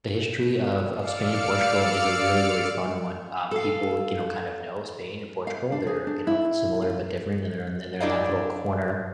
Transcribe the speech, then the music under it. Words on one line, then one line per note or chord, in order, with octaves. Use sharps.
the history of of Spain and Portugal is a really, really fun one, um, people, you know, kind of know Spain and Portugal. They're, you know, similar but different, and they're in and they're in that little corner,
D5 F5 E6 F6 C#7 D7
A4 F5
F5
D4
G#4
D4
E4
F4
D4 E4 G4 D5 D#5 F5